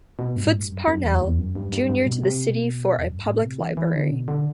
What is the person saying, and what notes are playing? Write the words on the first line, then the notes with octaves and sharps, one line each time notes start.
"Foots" Parnell, Junior to the City for a public library.
B2
G2
A2
G2
F#2
F#2
E2
E2
F#2
G2
G2
G2
B2
C3
B2
E2
F#2
G2
A2
C3
E3
E3
D3
B2
D3